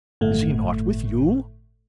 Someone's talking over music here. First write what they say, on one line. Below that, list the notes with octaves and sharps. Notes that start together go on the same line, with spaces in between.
"Is he not with you?"
G1 A2 A3